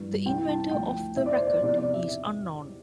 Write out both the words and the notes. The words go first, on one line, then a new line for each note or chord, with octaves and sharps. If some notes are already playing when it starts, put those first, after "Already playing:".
The inventor of the rackett is unknown.
Already playing: G2 E3
C2 C3 E3 G5
A5
D2 D3 F3 G5
E2 B2 E5
D5
C5
D5
E2 C3 F3 D5
D5
E5